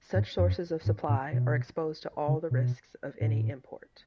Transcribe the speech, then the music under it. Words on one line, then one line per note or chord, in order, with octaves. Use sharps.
Such sources of supply are exposed to all the risks of any import.
G#2
F#2
G#2
A2
B2
C#3
B2
A2